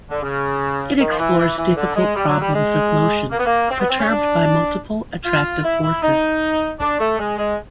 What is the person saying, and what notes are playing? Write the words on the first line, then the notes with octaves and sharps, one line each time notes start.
It explores difficult problems of motions perturbed by multiple attractive forces.
D3
C#3
D#3
F3
E3
E3
E3
D3
G#3
G3
F#3
G3
G#3
A#3
B3
A#3
C4
B3
C4
C#4
D4
F4
E4
E4
D#4
D4
A3
G#3
G#3